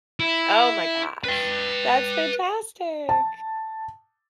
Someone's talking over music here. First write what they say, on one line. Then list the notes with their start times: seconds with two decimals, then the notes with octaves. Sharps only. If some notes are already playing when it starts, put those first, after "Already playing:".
Oh, my gosh. That's fantastic.
0.20 E4
1.24 B4 G5
3.09 A5